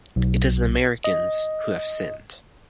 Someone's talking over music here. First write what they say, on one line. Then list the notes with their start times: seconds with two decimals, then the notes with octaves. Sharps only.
It is the Americans who have sinned.
0.16 B1
1.04 D#5